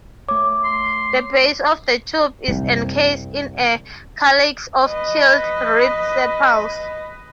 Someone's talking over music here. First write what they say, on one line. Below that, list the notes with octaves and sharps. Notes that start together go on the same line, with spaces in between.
The base of the tube is encased in a calyx of keeled, ribbed sepals.
A3 C#5 D6
C6
C2 F#2 G3 A3
B4 D#5